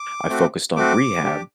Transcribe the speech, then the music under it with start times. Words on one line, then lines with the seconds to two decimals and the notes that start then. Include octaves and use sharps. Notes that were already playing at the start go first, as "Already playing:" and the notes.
I focused on rehab
Already playing: D6
0.29 A3 C4 F#4
0.76 A3 C4 F#4 D6
1.24 D4 G4